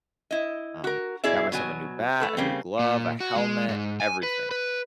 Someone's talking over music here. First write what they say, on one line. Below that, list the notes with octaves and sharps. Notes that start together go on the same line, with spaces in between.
um, I got myself a new bat, a new glove, a helmet, everything,
E4 D#5
F#4 A#4
B2 E4 G#4 D5 E5
B2 F#3 G#5
A3 A4 B4
C#3 G3 A#3 C4
A#2
F#4
G#3
G#2
G#5
B4
B4